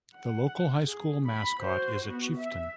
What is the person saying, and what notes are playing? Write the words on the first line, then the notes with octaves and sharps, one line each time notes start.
The local high school mascot is a chieftain.
F#5
G#4
B5
F#4 C5
B3 F#4
E5